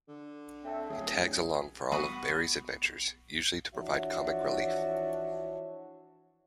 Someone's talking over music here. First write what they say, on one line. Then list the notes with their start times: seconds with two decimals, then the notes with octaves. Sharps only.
He tags along for all of Barry's adventures, usually to provide comic relief.
0.08 D3
0.64 A3 C4
0.89 D1 C#3 G#4
1.92 B3 F#4 B4
3.75 E3 F3 D4 F#4 C#5 E5